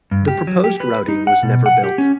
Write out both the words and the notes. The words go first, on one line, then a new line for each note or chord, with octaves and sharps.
The proposed routing was never built.
G2
G4
F#3
G4
B4
D#4
F#5
B2
F#5
G4
C#4